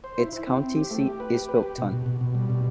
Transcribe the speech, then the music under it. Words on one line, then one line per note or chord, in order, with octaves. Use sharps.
Its county seat is Faulkton.
C5
E4
E4
C4
C4
G4
A3
G4
B4
G4
B4
G4
B2
B2
B2
B2
G3
B2